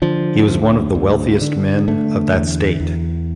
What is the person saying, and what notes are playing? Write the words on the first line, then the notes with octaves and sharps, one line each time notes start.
He was one of the wealthiest men of that state.
D3 F3
D2
D2
D3
D3 A3
E2
E2